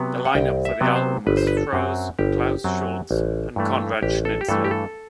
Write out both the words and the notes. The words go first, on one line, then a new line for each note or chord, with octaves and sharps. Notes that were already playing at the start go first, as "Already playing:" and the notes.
The line-up for the album was Froese, Klaus Schulze, and Conrad Schnitzler.
Already playing: C3 F#3 B3
F#5
C2 G5
E5
C3 F#3 B3
C5
G1 B4
C5
B4
A4
F#2 F#3 C4
G1 G4
F#2 F#3 C4
A1
G2 E3 A3
A1 G4
A4
G4
G2 E3 A3 A4
G4
A4